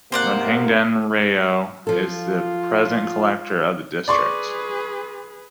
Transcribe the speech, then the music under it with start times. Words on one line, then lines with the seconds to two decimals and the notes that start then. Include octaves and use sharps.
Ranghunandan Rao is the present collector of the district.
0.12 G#2 C3 A#3 C5 D5 F#5
1.87 F3 F4 A4
4.08 G#4 B4 D5 C6 C#6